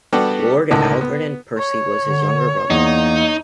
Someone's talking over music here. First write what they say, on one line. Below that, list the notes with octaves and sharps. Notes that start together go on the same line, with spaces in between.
Lord Algernon Percy was his younger brother.
G3 B3 D4 F#4 G4 A4
C#2 A2 D3 D#3
B3
C#5
D3
E2 A#3 D#4